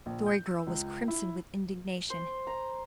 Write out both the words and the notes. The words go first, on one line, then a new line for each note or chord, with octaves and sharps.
The Story Girl was crimson with indignation.
A#1
G6
E6
C#2
E4
C5
A#5